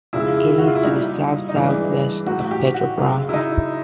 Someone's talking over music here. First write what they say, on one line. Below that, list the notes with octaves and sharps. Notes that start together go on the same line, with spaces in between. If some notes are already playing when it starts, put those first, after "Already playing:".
It is to the south-south-west of Pedra Branca.
F2 C#3 F3 G#3 E4
E4
F#4
F4
E4
A#2 G3 D#4
D#4
G2 E3 G#3 D4
A2 F#3 F#4
F#4
G4
F#4
F#2 C#3 F#3
E4
D#4